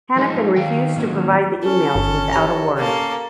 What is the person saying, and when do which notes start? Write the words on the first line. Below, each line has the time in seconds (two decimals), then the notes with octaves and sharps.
Hanafin refused to provide the emails without a warrant.
0.16 F3 G#3 A3 C4 D#4 G#4
0.56 D#3 F5 G5
0.96 D3 D#3 F#3 A#3 C#4
1.64 C#4 A4
1.95 G1
2.33 G4 C#5 A#5
2.78 A#3 C#4 A4